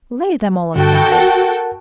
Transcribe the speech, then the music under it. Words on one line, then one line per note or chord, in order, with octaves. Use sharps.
Lay them all aside.
G2 D3 F#4 A4 G5
A#4 F#5 A5